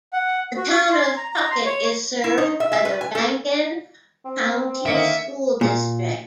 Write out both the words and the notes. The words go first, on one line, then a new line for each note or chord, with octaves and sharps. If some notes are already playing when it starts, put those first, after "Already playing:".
The town of Puckett is served by the Rankin County School District.
F#5
F#4
C#6
C6
A#5
A#5
C6
C#5
E4
D#4
E5
E5
B4
G#5
A4
C4
D3 D#3 A#3 D#5 E5 C#7 D7
A#2